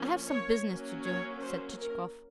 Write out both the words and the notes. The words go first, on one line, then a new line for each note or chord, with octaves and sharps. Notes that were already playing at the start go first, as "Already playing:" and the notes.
"I have some business to do," said Chichikov.
Already playing: F3 A#3 C#4
C#5
F#3 A#3 C#4
C#5
C5
A#4